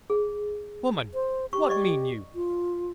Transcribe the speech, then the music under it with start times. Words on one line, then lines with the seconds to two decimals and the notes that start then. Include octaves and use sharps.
"Woman, what mean you?"
0.10 G#4
1.14 C5
1.53 G4 C#6
1.69 D5 D#5 C#6
2.35 F4